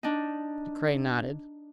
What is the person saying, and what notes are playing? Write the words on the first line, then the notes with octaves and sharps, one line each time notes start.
De Craye nodded.
D4 D#4